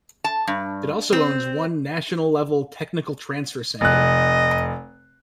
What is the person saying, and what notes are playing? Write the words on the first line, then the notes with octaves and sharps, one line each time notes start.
It also owns one National-level Technical Transfer Center.
A5
G2
C4
F1 D#5 F#6